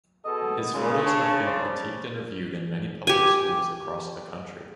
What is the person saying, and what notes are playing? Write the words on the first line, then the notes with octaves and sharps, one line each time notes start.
His photos have been critiqued and viewed in many public schools across the country.
B2 G#4 A4 D#5
D#2 C#3 G#3
D4 C#5
C5 D5
G4 G#5